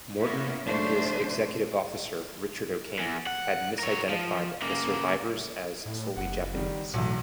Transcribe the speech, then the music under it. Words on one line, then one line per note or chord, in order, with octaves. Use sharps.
Morton and his executive officer, Richard O'Kane, had misidentified the survivors as solely Japanese.
A#3 B3 C#4 E4
C#3 F#3 A3 C#4 D4 C5
E2
F#5
A#4 C#5
F3
C#3 A#3
A2
F#1 F#5
D#3 G3
B1 E2 A2